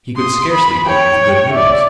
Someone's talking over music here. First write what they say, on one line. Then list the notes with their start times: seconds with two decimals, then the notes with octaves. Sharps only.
He could scarcely believe the good news.
0.17 C6 D#6
0.52 B5
0.86 C#5 G5
1.52 D5 E5